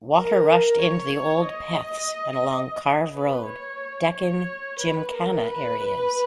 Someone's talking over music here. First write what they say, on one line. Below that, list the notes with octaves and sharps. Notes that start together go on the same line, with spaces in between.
Water rushed into the old 'Peths' and along Karve Road, Deccan Gymkhana areas.
A#4
C#5
D#5
B4
C#5
C#5
B4
A#4
B4